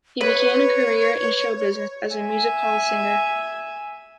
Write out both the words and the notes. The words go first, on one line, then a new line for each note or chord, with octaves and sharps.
He began a career in show business as a music-hall singer.
B4 C#5
E5 G#5